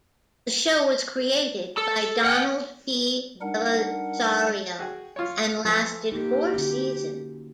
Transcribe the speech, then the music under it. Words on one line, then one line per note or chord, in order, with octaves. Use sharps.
The show was created by Donald P. Bellisario and lasted four seasons.
A4
F#5 G5
G3 D4 D#4 A#4 F#5
F#4 G#4 G5
F4 C#5
E3 F3 A4 B4
A#3 D#4 G4
D3 C#4 F#4